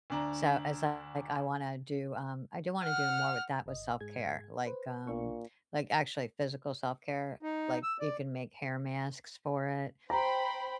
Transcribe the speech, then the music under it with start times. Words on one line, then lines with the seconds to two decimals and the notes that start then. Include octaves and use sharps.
so as I like, I wanna do, um I do wanna do more with that with self-care, like, um, like actually physical self-care, like, you can make hair masks for it,
0.10 D2 D4 A#5
2.83 F#5 F6
3.66 G1 D#5
4.00 G#2 G#4 G#6
4.67 B4 C5
5.07 B1 A#2 D4 C#6
7.43 D#4
7.83 E6
8.00 D5
10.10 C5 G5 A#5 B5